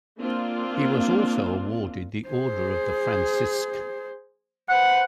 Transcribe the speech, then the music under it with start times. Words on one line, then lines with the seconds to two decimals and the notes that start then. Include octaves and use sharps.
He was also awarded the Order of the Francisque.
0.19 A#3 C4 D4 F4
2.28 G#4 C5
4.69 B4 C5 F#5